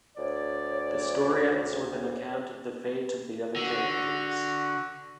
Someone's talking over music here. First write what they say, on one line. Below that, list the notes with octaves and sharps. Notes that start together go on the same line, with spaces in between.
The story ends with an account of the fate of the other characters.
D2 C#5 D5
D3 F#4